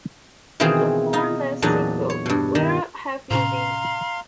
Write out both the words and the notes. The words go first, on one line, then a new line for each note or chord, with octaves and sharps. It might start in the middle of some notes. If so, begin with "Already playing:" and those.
The hornless single, Where Have You Been?
B2 D#3 E3 C4 F4 G#4
D#4 F4
E2 A#2 F#3 D4 D#4
C#5
G2 B2
D#3
A2 C3 C#4 F5 A#5 C6